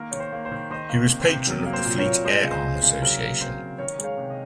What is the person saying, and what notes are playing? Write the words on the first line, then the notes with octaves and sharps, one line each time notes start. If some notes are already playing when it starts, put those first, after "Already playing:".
He was Patron of the Fleet Air Arm Association.
Already playing: D#3 A#3 A#4
D#3 C#5
C5
A#3
C5
D#3
D#3 C5 D#5
A#3
C3
C5
C3
F#3 A#4
A#3
C5
A#2
A#4 C#5
A#2
G#3 C5 D#5
C#3
C5
G#3
C5
C#3
F#3 A#4
A#3
C3 C5
C3
D#3 A#4 C#5
G#3
C#5 F5
C3
D#5